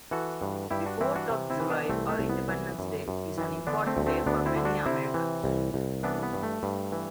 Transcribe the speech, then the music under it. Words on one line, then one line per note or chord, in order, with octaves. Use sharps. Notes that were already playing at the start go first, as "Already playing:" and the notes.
The fourth of July, or Independence Day, is an important day for many Americans.
E3 F#4 A4
G2
G2 E4 G4
D4 F#4
E3 C4 E4
D4 F#4
C3
C4 E4
E3
B3 D4
C2 A3 C4
A3
C2
B3
E3
F#2
F#2
E3
D3 B3 D4
A3 C4
D2
A3 C4
D2 B3 D4
C4 E4
D3
D4 F#4
C3 C4 E4
E3
C2
C2
E3 B3 D4
B3
G2
A3
G2
E3